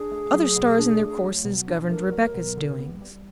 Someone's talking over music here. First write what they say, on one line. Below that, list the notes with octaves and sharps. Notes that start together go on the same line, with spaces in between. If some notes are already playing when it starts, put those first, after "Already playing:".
Other stars in their courses governed Rebecca's doings.
Already playing: D4 G#4
A3
F#3
B2
D4
A3
F#3
B2
D4
A3 A#4
F#3
B2
D3
B3
G3